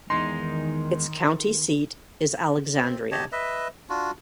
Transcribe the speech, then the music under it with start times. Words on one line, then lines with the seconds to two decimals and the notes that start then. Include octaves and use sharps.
Its county seat is Alexandria.
0.10 E2 D#3 G#3 D#4 C6
2.76 C4
3.11 G4 C#5 D#5 A5
3.32 B4 D#5 E5
3.90 D4 F4 F#4